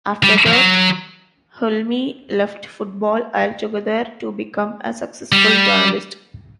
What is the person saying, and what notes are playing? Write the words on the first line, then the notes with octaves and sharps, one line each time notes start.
After that, Hulme left football altogether, to become a successful journalist.
G3
F3
F#3
G3